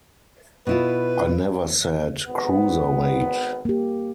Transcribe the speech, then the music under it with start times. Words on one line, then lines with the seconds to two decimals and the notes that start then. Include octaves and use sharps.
I never said cruiserweight.
0.67 B2 E4 F4 B4
2.28 G#1 B3
3.65 A#3 G4